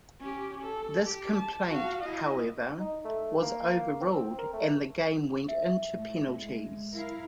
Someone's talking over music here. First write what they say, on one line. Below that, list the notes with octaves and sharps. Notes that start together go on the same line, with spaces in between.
This complaint, however, was overruled, and the game went into penalties.
C#4 G4
A4
G4
A5
F#4 F5
E4 D#5
D#4
A3
A#3
C4
A#4
A3
E5
A2 A3
G#3
E4 A#4 F5